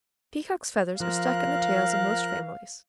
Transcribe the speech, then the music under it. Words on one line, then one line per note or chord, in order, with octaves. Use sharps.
Peacocks' feathers are stuck in the tails of most families.
F3 A#4 F5 F#6